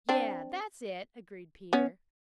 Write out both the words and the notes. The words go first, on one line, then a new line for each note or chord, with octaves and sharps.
"Yes, that's it," agreed Peter.
C4 D4
B3 C#4